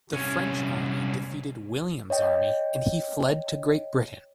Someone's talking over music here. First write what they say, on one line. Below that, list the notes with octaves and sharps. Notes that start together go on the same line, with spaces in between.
The French army defeated William's army and he fled to Great Britain.
C2 C#4
C#5 D#5 G5